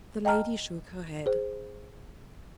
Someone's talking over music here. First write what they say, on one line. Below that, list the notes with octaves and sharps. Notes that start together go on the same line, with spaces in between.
The lady shook her head.
D#5 G5 A5 A#5 F6
G#4 C5